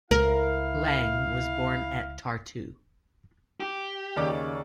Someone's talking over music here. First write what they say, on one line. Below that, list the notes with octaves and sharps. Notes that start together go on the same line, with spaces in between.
Lang was born at Tartu.
C#2 E4 A#4 F5
G4
D#2 C#3 D5 D6